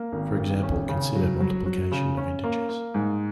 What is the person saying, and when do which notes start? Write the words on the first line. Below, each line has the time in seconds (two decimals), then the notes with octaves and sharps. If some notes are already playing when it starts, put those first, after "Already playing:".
For example, consider multiplication of integers.
Already playing: A#3
0.12 G#1
0.38 G#1
0.63 C#4
0.89 C#3
1.15 F#3
1.40 F#3
1.66 F#3
1.92 C#3
2.17 C#4
2.44 A#3
2.69 A#3
2.94 G#2